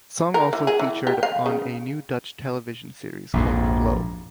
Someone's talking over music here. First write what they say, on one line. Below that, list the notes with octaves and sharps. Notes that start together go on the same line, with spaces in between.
The song also featured on a new Dutch television series called "Flow".
A#4
E3
G#4
E3
G4
F5
C#3
A#1 F2 G#2